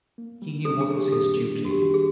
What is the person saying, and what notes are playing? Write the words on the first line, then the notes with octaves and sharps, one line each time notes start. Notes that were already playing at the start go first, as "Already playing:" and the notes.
He knew what was his duty.
A#3
G3
D4 A4
G#4
D#3
G4
A#3 A4
G3
D4
F#4
G4
D#3 F#4
G#4